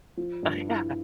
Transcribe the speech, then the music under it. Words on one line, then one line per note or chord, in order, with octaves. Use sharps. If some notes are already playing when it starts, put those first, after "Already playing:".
Uh, yeah,
F3
G2
E4